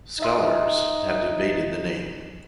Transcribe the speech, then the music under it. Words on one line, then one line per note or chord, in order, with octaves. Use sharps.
Scholars have debated the name.
D#4 D#5 E5 C6